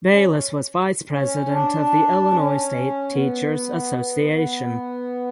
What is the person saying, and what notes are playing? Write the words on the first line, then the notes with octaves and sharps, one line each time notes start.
Bayliss was vice president of the Illinois State Teachers Association.
C#4
C#4
D4
C#4
B3
B3